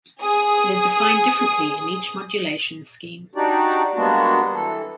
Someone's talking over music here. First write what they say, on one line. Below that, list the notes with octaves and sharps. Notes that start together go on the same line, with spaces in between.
It is defined differently in each modulation scheme.
G#4 G#5 D#6
D4 D#4 F#4 G4 D5
G3 G#3 A#3 B3 D4 F#4
E3 A4